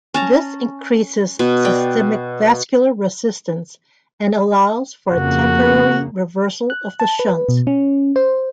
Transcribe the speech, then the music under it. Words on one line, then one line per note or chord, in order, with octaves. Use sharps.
This increases systemic vascular resistance and allows for a temporary reversal of the shunt.
C#4 A5 A#5
B2
D5 G5
F2 C#3 A#3 F#4
F#6
A5
B4
B2
C#4
C5